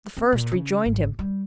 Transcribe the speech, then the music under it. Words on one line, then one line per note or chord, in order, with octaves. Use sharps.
The first rejoined him.
C4
A#2
C#3
G#1
G3